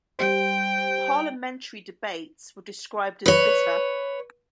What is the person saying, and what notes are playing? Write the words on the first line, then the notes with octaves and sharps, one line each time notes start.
Parliamentary debates were described as 'bitter'.
G3 G4 C5 G5
B4 C#5